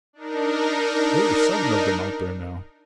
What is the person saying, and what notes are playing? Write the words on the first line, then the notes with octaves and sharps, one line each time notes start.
"There are seven of them out there now."
D4 D#4 A#4